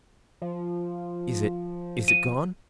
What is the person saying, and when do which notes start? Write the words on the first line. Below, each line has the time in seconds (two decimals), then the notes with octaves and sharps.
"Is it--is it gone?"
0.42 F3
2.08 D#7